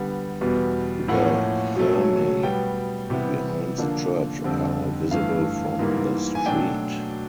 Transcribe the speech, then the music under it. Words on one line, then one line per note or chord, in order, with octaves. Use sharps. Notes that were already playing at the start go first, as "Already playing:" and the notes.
The thermae behind the church are visible from the street.
Already playing: D3 G3 B3
E2 B2 G3 B3
A2 F3 A#3 C#4 F#5
B2 F#3 A3 C#4
B2 G3 B3 G5
C3 E3 G3 B3
D3 F3 A#3 D4
F2 D3 G3 C4
G2 E3 A3 F5
G#2 E3 G3 A#3
G#5
B2 F#3 A3 D4 G5